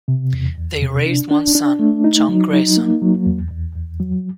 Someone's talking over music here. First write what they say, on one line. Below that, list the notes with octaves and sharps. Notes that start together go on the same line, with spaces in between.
They raised one son, John Grayson.
C3
E2
E2
C3
D4
D4
D4
A3
D#4
F#3
D#4
A#3
F#3
E2
E2
E2
F#3